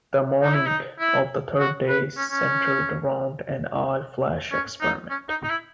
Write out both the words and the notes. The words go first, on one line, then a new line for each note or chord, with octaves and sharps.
The "morning" of the third day centered around an "eye flash" experiment.
D#4
E4
D#4
E4
F#4
B4
C#4
C#4
C#4
D#4
C#4
D#4
D#4
E4